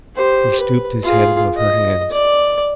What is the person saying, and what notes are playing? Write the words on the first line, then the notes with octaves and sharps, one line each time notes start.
He stooped his head above her hands.
G4 C5
B4
F4 G#4
D#5
D5